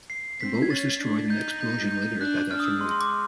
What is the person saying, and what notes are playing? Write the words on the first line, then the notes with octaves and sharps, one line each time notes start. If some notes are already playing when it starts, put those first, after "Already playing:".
The boat was destroyed in the explosion later that afternoon.
C7
C4 B6
G#6
C#4 A6
D4
D#4 G6
G6
G6
D4 F#6
D4 F6
D#6
E6
G#3 C6
C6
D6
D6